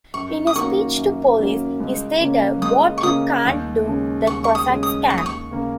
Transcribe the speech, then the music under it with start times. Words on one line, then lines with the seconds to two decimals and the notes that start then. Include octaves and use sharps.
In a speech to police he stated, What you can't do, the Cossacks can.
0.14 F#2 C#6
0.47 D#6
0.55 D#3 A#3 C#4 F#4 C#6
0.97 F#2
1.38 D#3 A#3 C#4 F#4
1.80 C#2
2.21 C#3 A#3 C#4
2.62 C#2 D#6
2.98 C#6
3.03 C#3 A#3 C#4 D#6
3.45 D#2
3.86 C#3 G#3 C#4
4.27 D#2 C#6
4.44 C#6
4.55 D#6
4.69 C#3 G#3 C#4
4.83 D#6
5.10 D#2 C#6
5.18 D#6
5.26 C#6
5.51 C#3 A#3